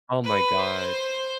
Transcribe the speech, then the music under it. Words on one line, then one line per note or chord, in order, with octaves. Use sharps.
Oh my god.
B4
C5